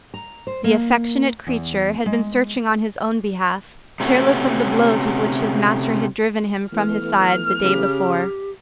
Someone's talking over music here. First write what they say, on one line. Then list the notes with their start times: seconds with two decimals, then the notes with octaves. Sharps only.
The affectionate creature had been searching on his own behalf, careless of the blows with which his master had driven him from his side the day before.
0.14 A#5
0.47 C5
0.64 A#3
1.47 E2
2.06 G#3
4.00 C3 A3 B3 C#4 F#4
6.72 E3 A3 B3 F6
7.64 C#3 G4